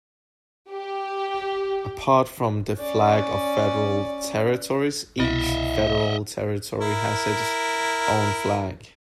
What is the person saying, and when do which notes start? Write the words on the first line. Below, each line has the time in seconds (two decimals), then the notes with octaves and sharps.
Apart from the flag of Federal Territories, each federal territory has its own flag.
0.71 G4
2.80 C#4 D5
5.20 C2 B2 E4 D#5 E5
6.80 E4 A#4